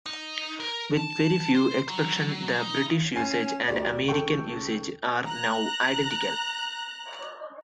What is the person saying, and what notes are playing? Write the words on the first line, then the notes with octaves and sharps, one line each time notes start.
With very few exceptions, the British usage and American usage are now identical.
D#4
A#4
A5
C5
F#3
D#4
C#4 G#5 C7
D2 G4 D5
C#2 A4 G5 C#6
A#5 F#6